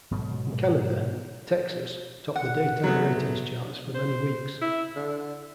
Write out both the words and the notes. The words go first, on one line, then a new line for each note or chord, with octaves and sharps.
In Canada, "Texas" topped the daytime ratings charts for many weeks.
G#2 B2 D3 F#3
F#5
F#3 A3 B3
C5
E4
D3